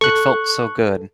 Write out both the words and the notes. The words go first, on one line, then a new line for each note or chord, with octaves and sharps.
It felt so good.
A4 C#6 F#6